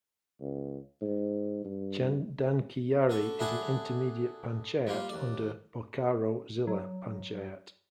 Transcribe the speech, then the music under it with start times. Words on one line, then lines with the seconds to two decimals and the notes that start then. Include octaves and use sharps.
Chandankiyari is an intermediate panchayat under Bokaro Zilla panchayat.
0.40 C#2
1.02 G#2
1.64 G2
3.10 D3 A4 C#6
3.39 D4 E4 G#4 A4 F#5 C#6
4.87 G3 A#3 F4
5.09 D#2 D5
6.67 F#3